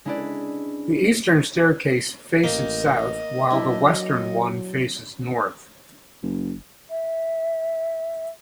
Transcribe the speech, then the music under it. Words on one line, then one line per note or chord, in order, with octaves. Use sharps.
The eastern staircase faces south while the western one faces north.
G#3 C#4 D4 E4 B4 D5
A1 A#3 D#5 G5
F#3 D4 E4 G4
F#1
E5